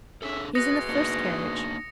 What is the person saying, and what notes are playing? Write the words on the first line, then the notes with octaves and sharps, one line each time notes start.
"He's in the first carriage."
C#4 D4 G#4 A4 E5
F#2 B2 G#3 B4 D#6 A#6 C#7
A#3 D4 D#4 C#7